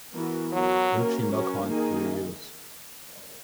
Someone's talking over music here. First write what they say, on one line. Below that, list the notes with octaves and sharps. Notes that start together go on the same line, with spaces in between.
Which email client do you use?
E3 B3 F#4 A#4
F#3 B3 F#4 A#4
A#3 C#4 F#4 A#4
F#3 C#4 F#4 A#4
D#3 A#3 D#4 G#4